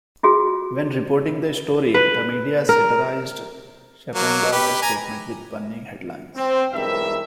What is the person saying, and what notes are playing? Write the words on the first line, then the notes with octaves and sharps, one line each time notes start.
When reporting the story, the media satirised Chaponda's statement with punning headlines.
F4 F#4 G#4
B4
A#4
F#3 A#3
G4 B4
G#5 A#5
C4
B1 G2 E3 G#3 A#4 E5